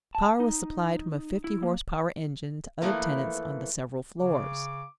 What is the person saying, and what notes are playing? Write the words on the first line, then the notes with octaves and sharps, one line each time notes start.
Power was supplied from a fifty-horse-power engine to other tenants on the several floors.
A5
D#4
E4
A#3
E3 F3 A3 A#3
C#3 D6